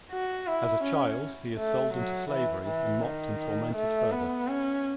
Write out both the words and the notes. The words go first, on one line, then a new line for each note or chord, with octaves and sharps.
As a child, he is sold into slavery and mocked and tormented further.
F#4
E4
C#4
A3
F#3
E3
E3
D#3
A3
B3
C#4